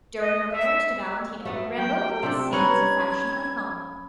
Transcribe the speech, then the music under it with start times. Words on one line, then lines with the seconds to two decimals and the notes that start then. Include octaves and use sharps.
During her marriage to Valentino, Rambova was seen as a fashion icon.
0.19 D#5
0.51 E5
1.45 A3 B3 F#4 C#5
1.77 F#3 G5
2.23 C3 D4 A4
2.53 G3 C#4 D#4 B4 F#5 B5 G#6